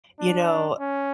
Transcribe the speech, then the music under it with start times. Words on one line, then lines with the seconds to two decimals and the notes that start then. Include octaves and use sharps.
you know,
0.19 D4
0.79 C#4